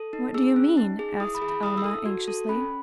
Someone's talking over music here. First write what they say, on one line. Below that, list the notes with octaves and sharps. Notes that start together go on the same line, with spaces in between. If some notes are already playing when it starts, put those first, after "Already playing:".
"What do you mean?" asked Alma anxiously.
Already playing: A4
D#4
G#4 E6
C#4
D#4
G#4
E4 D#6
B5
G#4
B5
E4 D#6
E6
A4
F#4
A4
C#4 B5